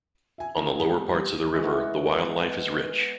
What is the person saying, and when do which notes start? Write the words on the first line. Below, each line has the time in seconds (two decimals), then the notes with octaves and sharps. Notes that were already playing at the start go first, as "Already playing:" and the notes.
On the lower parts of the river the wildlife is rich.
0.38 E5 G#5
0.57 D#4 E4
0.79 G#3 B3 G4
1.14 G3
1.52 E3 G#3 B3 F#4